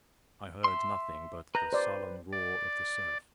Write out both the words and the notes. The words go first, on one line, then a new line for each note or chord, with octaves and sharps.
I heard nothing but the sullen roar of the surf.
E5 C6
B4 A#5 F#6 G6
C5 D5
D5